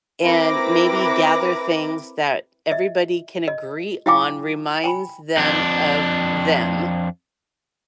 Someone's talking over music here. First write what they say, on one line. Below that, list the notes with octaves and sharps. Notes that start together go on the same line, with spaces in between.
and maybe gather things that everybody can agree on reminds them of them.
C4 E4 A#4 B4 D6 A#6
D#5 E5
D#5
E4 F4 F5 G5 G#5 D6
G5 G#5 B5
F2 D4